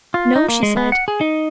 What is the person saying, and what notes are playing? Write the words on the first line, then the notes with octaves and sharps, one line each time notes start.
"No," she said.
F4
D#4
A#3
G#3
B3
F#5
G#4
D#4